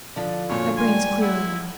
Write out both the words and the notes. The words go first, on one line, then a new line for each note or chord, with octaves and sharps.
My brain is clearer now.
D3 F3 D4
F#2 A#2 C#5
G3 G#5 C6
E4 F#5